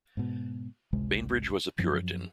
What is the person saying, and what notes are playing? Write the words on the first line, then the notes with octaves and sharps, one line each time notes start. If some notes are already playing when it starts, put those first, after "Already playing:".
Bainbridge was a puritan.
G#2 B2
G#1 C#2 C3 G#3
F#2 F3 F#3